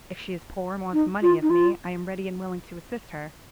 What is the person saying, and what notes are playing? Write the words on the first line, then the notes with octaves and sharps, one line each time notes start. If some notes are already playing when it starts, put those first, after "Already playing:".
If she is poor and wants money of me, I am ready and willing to assist her.
D#4
F4
D#4
F4